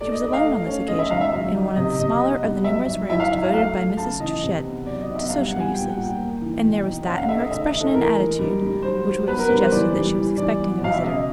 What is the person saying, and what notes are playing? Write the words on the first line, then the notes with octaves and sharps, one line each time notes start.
She was alone on this occasion, in one of the smaller of the numerous rooms devoted by Mrs. Touchett to social uses, and there was that in her expression and attitude which would have suggested that she was expecting a visitor.
A3 D5
D#5
A3 D#5
F5
A3
C#4
G#3 D#5
E5
D#3 F5
E5
F#3
D#4
C3 D#5
C3 D#5
B3 D#5
G3
F#3 E5
F#3
E4 E5
F5
F#3 E5
F5
A3 F5
F3
C#3 A5
E3 D#5
C3
B3
F#3 D5
D#5
B3
E5
G3 F5
F#5
G3
G#5
A#2 G5
F#5
A#2
G5
A#3
E3
B2
D#4
C#4 F#5
F5
A3 E5
D#5
D#3 E5
D#5
D#3
A4
E3 A#4
G#3
G3
G3
F#3 C5
F#3
B3 B4
A#4
G3 B4
C5
E3 D5
G3
E3
E3 D5
B3
B2 F5
E5
C#3 D#5